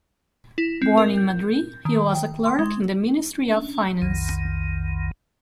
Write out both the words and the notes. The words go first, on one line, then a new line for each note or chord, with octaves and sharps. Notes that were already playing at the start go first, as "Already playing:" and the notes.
Born in Madrid, he was a clerk in the ministry of finance.
E4
C4
A#4
G6
D#3
G5
C6
G#3
C#4 D4
B1 F2 D#3